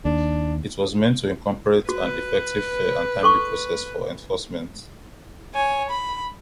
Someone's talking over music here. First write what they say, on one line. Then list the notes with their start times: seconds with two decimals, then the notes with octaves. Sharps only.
It was meant to incorporate an effective, fair and timely process for enforcement.
0.05 D#2 D4
1.89 F#4 B4
3.23 A4 C6 C#6
5.55 C#5 G#5
5.90 B5